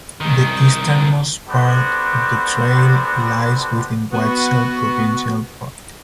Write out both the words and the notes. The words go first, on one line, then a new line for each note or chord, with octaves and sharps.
The easternmost part of the trail lies within Whiteshell Provincial Park.
C2 D#3
B3 D4 F#4 G4 A4 C5
B3 F#4